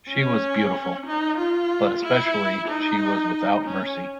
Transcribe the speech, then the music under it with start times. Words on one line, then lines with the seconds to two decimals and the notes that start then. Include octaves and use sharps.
She was beautiful — but especially she was without mercy.
0.09 C#4
1.06 D#4
1.38 F4
2.03 E4
2.68 D#4
3.65 C#4